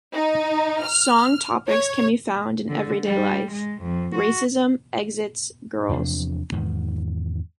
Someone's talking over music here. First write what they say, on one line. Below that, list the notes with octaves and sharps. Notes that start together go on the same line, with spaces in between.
Song topics can be found in everyday life: racism, exits, girls.
D#4
F6
C#5
D3
G3
G#3
F2
F#4
E2 C3 F3 D4
E2 G#2 D#3